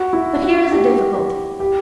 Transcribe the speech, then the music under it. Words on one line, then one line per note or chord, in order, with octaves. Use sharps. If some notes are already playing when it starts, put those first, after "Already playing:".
But here is a difficulty.
Already playing: F#4
E4
F#4
G4
G4